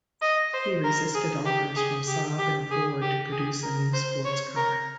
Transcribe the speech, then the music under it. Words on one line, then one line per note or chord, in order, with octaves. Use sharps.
He resisted offers from Saab and Ford to produce a new sports car.
D#5
C5
A#4
G#4
G4
G#4
G4
G4
G#4
G4
G#4
A#4
C5
C#5
A#4